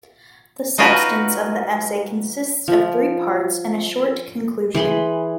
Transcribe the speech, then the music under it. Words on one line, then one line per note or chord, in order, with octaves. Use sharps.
The substance of the essay consists of three parts and a short conclusion.
D#4 F4 F#4 A#4 B4 D#5
F3
E3 G#4 B5 C6